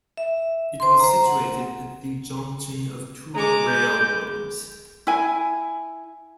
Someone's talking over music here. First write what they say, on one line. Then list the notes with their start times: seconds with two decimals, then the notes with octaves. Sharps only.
It was situated at the junction of two railroads.
0.17 E5
0.80 C5 C6
1.00 C5 A#5
1.26 F#5
3.34 G#3 A#5 D6
3.67 G6
5.07 E4 G#5